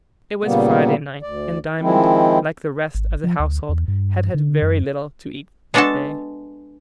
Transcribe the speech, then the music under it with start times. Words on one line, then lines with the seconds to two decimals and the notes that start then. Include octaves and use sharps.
IT WAS Friday night, and Diamond, like the rest of the household, had had very little to eat that day.
0.44 A#2 C#3 G3 A#3 B3
1.22 D2 D5
1.81 D#3 F3 G#3 C4 E4
2.95 G#1
3.24 F3
3.40 D2
3.69 E2
3.88 G2
4.34 D3
4.62 F#2
5.74 G#3 B3 D4 F#4 A4 A5